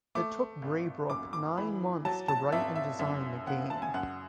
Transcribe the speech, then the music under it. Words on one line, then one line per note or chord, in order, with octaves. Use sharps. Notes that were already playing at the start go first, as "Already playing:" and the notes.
It took Braybrook nine months to write and design the game.
A3 D6
G#1
F#2 D6
D6
E3 B5
F#3 A5
A5
G#1 E5
E5
F#2 E5
C#3 F#5
A5
G#5
F#2 F#5